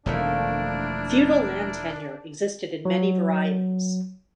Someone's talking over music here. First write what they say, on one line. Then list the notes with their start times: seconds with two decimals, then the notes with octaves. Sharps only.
Feudal land tenure existed in many varieties.
0.06 E1 D#3 F3 A3 A#3 D4 E4 A#4
2.85 F#3